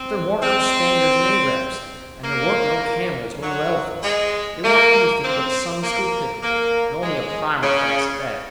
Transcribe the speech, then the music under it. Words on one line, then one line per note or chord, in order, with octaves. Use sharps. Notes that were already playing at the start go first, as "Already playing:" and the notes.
But there warn't no Spaniards and A-rabs, and there warn't no camels nor no elephants. It warn't anything but a Sunday-school picnic, and only a primer-class at that.
Already playing: C4
C4
A#3
F#3
G#3
A#3
C4
A#3
A#3
G#3
C#3